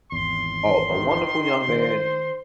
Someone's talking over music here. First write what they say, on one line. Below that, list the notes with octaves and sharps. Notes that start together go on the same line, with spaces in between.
uh, a wonderful young man,
G#1 E2 C6
D#3
D#3 C5